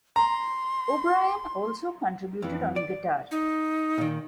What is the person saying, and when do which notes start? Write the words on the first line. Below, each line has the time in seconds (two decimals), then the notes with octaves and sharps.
O'Brien also contributed on guitar.
0.16 A#5 C6
2.42 F2 E3
2.76 D5
3.31 D#4
3.98 A#2 D#3